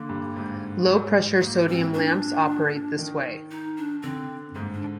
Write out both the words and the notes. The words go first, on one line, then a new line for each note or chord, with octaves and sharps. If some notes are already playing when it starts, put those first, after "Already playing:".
Low pressure sodium lamps operate this way.
Already playing: D3 A#3
G2
G#2
G#2
G#2 A#3
A#2 C4
D4
D#3
D#4
D4
D3 C4
G#2 A#3
D4